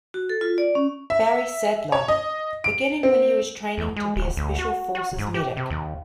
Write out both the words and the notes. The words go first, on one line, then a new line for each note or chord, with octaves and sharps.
Barry Sadler, beginning when he was training to be a Special Forces medic.
F#4
A4
F4
D5
C#4
E5
C#5
D#5
D7
C4
E2
G#3
D1
D2
F#4
F#4
G#2
G4
C3
D#2